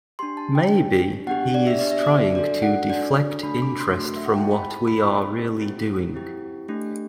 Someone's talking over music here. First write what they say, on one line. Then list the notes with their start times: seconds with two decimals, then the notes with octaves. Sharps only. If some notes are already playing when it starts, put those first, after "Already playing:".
Maybe he is trying to deflect interest from what we are really doing.
0.19 D4 G4 C6
0.37 A5
0.55 G5
0.73 D4 G4
1.27 B3 D4 G4 F#5
1.54 D5
1.67 E5
1.79 B3 D4 G4 D5
1.91 E5
2.03 D5
2.35 D4 F#4 A4 D5
2.62 F#5
2.90 D4 F#4 A4 D5
3.43 A3 D4 F#4 A4 B5
3.62 D6
3.80 C6
3.97 A3 D4 F#4 A4
4.16 E5
4.26 F#5
4.34 G5
4.43 A5
4.51 C4 E4 G4 B5
4.70 A5
4.88 B5
5.06 C4 E4 G4
5.60 C4 E4 G4
6.14 C4 E4 G4
6.68 A3 D4 G4